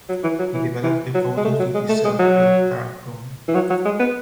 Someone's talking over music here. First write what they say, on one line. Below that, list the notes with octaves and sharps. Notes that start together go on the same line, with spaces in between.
He developed the photos in his self built darkroom.
F#3
E3
F#3
E3
E3
F#3
G#3
A3
F#3
G#3
A3
G#3
F#3
E3
F#3
F#3
G#3
B3